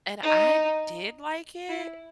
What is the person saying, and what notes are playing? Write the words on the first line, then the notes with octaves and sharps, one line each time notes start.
And I did like it,
D#4
E4